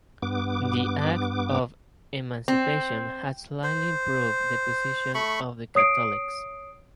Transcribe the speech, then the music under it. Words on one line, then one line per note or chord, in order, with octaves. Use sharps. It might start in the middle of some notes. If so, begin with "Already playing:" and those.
The Act of Emancipation had slightly improved the position of the Catholics.
G2 B3 D6
C4
C5
A3 B5 C#6
C#5 D#6 C7 D7